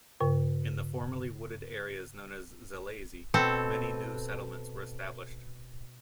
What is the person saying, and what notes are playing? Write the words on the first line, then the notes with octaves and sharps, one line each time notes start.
In the formerly wooded areas, known as Zalesye, many new settlements were established.
G2 C#3 A#4
B2 C4 A4